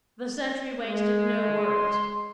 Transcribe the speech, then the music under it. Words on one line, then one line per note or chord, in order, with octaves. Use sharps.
The sentry wasted no words.
G#3
C6